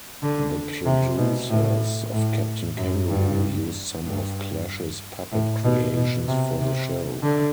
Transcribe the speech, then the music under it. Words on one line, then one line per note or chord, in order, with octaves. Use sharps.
The producers of "Captain Kangaroo" used some of Clash's puppet creations for the show.
D3
C3
B2
A2
A2
F#2
G2
G2
A2
B2
B2
C3
C3
D3